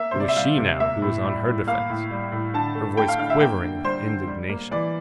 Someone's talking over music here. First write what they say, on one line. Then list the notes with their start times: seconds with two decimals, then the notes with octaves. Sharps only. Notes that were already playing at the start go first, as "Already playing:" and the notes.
It was she now who was on her defence, her voice quivering with indignation.
Already playing: A#3 E5
0.11 C5
0.15 C3 D5
0.28 E5
0.36 G3 F5
0.58 C3
0.80 A#3 E5
1.02 A2
1.24 G3
1.45 A2
1.67 A#3 F5
1.89 A2
2.11 G3
2.32 A2
2.54 D3 A5
2.75 A3
2.97 A3 G5
3.08 F5
3.19 D3 F5
3.30 E5
3.40 A#3 G5
3.62 D3
3.84 G3 C5
4.06 D3
4.27 G3
4.49 A#3
4.71 E3 D5